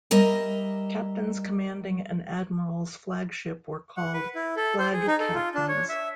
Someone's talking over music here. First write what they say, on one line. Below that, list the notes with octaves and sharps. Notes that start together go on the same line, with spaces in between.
Captains commanding an admiral's flagship were called "flag captains".
G3 A#4 D#5 E5
F#5
B4
E4
A4
C5
G#4
D#4
A4
F4
D4
C#5
E5